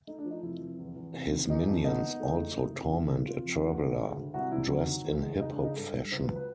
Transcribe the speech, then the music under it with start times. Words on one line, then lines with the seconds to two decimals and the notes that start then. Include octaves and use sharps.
His minions also torment a traveler dressed in hip hop fashion.
0.07 A3 D#4
0.19 D4
0.25 F3
0.31 D#4
0.43 F1 E4
0.60 F1
0.79 E2
0.96 E2
1.13 C3
1.31 D#3
1.49 E3 D#4
1.61 D#4
1.68 F2
1.85 B3 D#4
2.03 B3
2.20 A3
2.38 A3
2.57 F#1
2.74 C3
2.92 E3 E4
3.09 C#3
3.27 C3 F4
3.45 F1
3.63 A3 F#4
3.80 A3
3.98 C#3
4.16 D2
4.34 C2 F#4
4.52 C3 E4
4.70 F#3
4.87 D#3
5.05 E2
5.23 G#3
5.40 C#3 D#4
5.52 D4
5.58 C#3
5.64 D#4
5.76 G2 A4
5.94 G3
6.12 C#2 C5
6.24 B4
6.30 F#3
6.36 B4